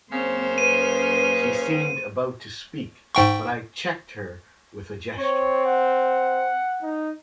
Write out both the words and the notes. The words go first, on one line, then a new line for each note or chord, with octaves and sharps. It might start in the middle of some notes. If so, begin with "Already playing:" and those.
She seemed about to speak, but I checked her with a gesture.
F#2 C#3 A#3 C4 C5
B4 D#7
G#2 G5 C#6
C4 C#5
F#5
D#4